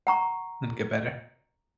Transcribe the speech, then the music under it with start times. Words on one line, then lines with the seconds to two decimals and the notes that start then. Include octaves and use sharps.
and get better.
0.07 F#5 A#5 C#6